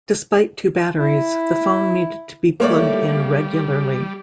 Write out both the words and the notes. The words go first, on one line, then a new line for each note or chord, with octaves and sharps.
Despite two batteries, the phone needed to be plugged in regularly.
E4
G3 A3 A#3 C#5 D5